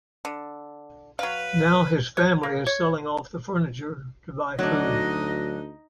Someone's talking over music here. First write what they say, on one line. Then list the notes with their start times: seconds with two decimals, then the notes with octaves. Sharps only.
Now his family is selling off the furniture to buy food.
0.25 D3
1.19 F#3 B4 F5
2.17 C#5
2.43 A#3
2.66 C#5
4.59 D2 F#3 D4 D#4 D#5